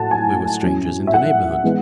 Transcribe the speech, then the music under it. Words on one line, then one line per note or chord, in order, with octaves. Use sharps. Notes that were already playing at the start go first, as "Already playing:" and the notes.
We were strangers in the neighbourhood.
Already playing: A2 F#3 A3 E4 F#5 A5
G#5
F#3 C#4 E4
E5
F#5
E3 G#3 B3